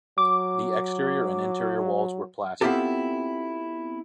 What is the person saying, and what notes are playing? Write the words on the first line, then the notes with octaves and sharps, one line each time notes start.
The exterior and interior walls were plastered.
F#3 D6
B3 C4 E4 F4 G4 A4